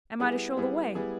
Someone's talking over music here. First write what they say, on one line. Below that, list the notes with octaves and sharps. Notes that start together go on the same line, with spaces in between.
Am I to show the way?'
G3 B3 E4 G#4
G3 B3 E4 G#4
G3 B3 E4 G#4